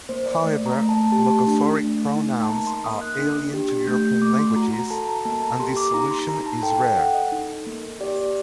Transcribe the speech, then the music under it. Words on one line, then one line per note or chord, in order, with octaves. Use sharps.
However, logophoric pronouns are alien to European languages, and this solution is rare.
A#3 C5
D5
A3 D#5
A#5
A3
A5
G4 A5
D4
A3
D#4
A5
A#3 A#5
C6
A#3 D#6
F#6
D4
G4
A3 G6
A3 D6
C6
F#4 A#5
A#5
A4 A5
A#5
A#3 A5
A#5
G4 C6
D6
D#4 A#5
C6
D#4 A#5
A5
A4 G5
G5
A4 F#5
D#5
D#4
A#3
G4 D5
D5